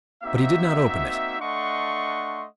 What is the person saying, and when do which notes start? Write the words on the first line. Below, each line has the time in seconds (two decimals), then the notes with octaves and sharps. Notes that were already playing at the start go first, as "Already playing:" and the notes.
But he did not open it.
0.23 A#3 C4 D#4 F#4 E5
1.40 A3 D4 D#5 F#5 C6 C#6